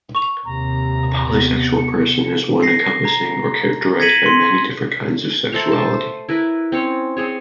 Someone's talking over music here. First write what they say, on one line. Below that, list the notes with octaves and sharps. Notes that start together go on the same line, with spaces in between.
A polysexual person is one encompassing or characterized by many different kinds of sexuality.
C#6 F7
D#2 C3 A#5
B3
C#7
A#6 C7
A#5
G#6 A#6 B6 C#7 D#7 F#7
C6
A3 A4 C5 A#5
C5 A5
E4 A#4 B4
C4 C#4 C#5
C4 G#4 C#5